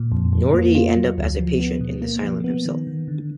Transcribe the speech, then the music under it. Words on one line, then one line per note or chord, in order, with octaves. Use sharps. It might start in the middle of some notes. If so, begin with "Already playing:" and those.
Nor did he end up as a patient in the asylum himself.
Already playing: A#2
F2
F2
A#3
F4
F#3
D2
F3
B3
B2
A#3
F3
B3
D#3
D#3
D3